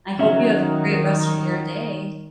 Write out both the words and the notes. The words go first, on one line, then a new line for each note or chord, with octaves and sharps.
I hope you have a great rest of your day.
D#3 F#3 C#4 E5